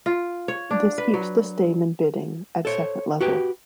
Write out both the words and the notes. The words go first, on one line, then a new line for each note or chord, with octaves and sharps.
This keeps the Stayman bidding at second level.
F4
C#5
D4
B4
F#3
A4 C5 C#5
F#4 G4 B4 G5